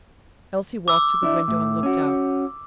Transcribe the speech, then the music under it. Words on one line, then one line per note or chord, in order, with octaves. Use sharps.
Elsie walked to the window and looked out.
D6 E6
D4 E4
A2
C#4 F#4